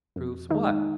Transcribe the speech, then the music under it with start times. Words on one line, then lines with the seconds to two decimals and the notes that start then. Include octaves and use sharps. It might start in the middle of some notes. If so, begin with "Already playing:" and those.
"Proves what?"
0.16 F2
0.51 D#3 G#3 D#4